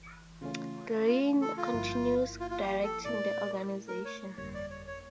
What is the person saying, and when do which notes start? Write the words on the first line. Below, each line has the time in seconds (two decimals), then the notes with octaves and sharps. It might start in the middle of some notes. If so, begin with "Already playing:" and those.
Greene continues directing the organisation.
Already playing: G1 E3
0.41 C#3 E3 A3 C#4 F4
1.08 F4
1.41 A4
1.57 F4
1.73 G1 G2 F3 A#3 E4
2.40 F4
2.51 F4
2.61 G4
2.84 A4
3.05 A#2 A3 E4 A#4 D5
3.88 A#4
4.05 C#5
4.37 G1 F2 D3 G3 A#3 C#5
4.55 D5
4.70 C#5
4.87 C#5